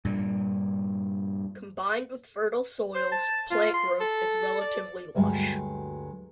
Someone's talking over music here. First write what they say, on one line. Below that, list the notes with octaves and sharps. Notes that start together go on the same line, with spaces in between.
Combined with fertile soils, plant growth is relatively lush.
G2 A#2 G3
C5
A5
F4
C6
A4
D5
D2 G2 F#3 G#3